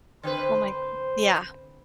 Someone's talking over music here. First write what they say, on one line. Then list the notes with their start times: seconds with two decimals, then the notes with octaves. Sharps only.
Oh, my g yeah.
0.23 D3 C4 B4 C5